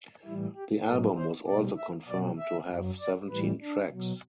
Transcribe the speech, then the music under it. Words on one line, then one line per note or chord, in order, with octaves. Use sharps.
The album was also confirmed to have seventeen tracks.
A2 E3 G3 E4
G4
A2 F#3 A4
C5
B2 G3 D5
E5
B2 F#3 D5
E5
F#2 F#3
D5
A2 E3 G3 B4
D4
B2 F#3